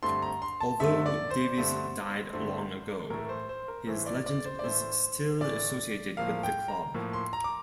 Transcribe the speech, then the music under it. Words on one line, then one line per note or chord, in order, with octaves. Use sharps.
Although Davies died long ago, his legend is still associated with the club.
G2 D3 A3 C4 C6
A#5
C6
A5
G2 D3 A3 C4 E5
D5
C5
G2 D3 A3 C4
G2 D3 A3 C4
A2 E3 A3 A#4
C5
C5
A#4
A2 E3 A3 C5
D5
D5
C5
D5
A2 E3 A3 C5
A2 E3 A3 D5
A2 F3 A#3 F5
G5
A#5
A2 F3 A#3
C6
A#5
D6